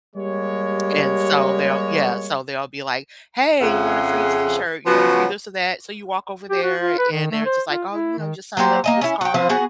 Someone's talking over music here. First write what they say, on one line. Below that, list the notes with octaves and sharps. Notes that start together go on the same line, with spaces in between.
and so they'll yeah, so they'll be like, "Hey, you want a free t-shirt? You want a free this or that?" So you walk over there and they're just like, "Oh, you know, you just sign up for this card
G3 G#3 A#3 G4 C#5
F2 C#3 F3 G#4 E5 F#5
C#3 F3 F#3 B3 F#4
G4
F#4
F4
B4
D#3
A3
C5
F4
E4
D#3
F#3 A#3 G4 C5
A#3 D#5 G#5
C#4 E4
F#4 G5
F3 C4 B4 C5
B3 F#4 G#4